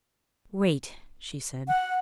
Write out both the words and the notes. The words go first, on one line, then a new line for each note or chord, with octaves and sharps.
"Wait," she said.
F#5